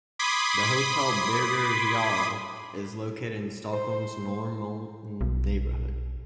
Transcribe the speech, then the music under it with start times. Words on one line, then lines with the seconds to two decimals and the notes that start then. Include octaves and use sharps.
The Hotel Birger Jarl is located in Stockholm's Norrmalm neighborhood.
0.19 B5 C6 D6 D#6 G#6 B6
3.73 C5
5.21 B1